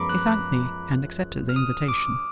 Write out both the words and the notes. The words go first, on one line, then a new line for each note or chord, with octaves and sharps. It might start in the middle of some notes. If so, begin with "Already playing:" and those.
He thanked me, and accepted the invitation.
Already playing: F#2 F3 G#3 B3 F4 A#5 B5 D6
F#6
F6
D#6
D6